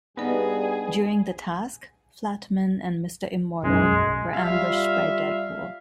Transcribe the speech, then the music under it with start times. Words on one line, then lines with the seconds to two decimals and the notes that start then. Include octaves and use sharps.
During the task, Flatman and Mr. Immortal were ambushed by Deadpool.
0.17 G2 B3 D#4 G#4 D5 D#5
3.63 B1 F#2 G#3
4.34 G3 F4 E5 F5